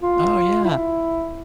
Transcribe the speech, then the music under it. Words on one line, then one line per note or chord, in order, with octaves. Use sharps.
Oh, yeah.
F4
E4